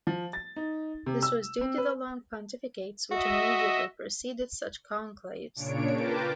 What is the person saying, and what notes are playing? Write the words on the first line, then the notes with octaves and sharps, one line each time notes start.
This was due to the long pontificates which immediately preceded such conclaves.
F3
A6
D#4
C3
E6
C4
B4
F#4 D#5 E5
A#2 C#3 D4 C#5 D7
F4 A#4 B4 G5 A5 D6